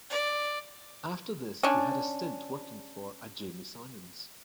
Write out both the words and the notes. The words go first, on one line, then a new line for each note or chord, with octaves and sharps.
After this he had a stint working for a Jamie Symonds.
D5
C#4 D4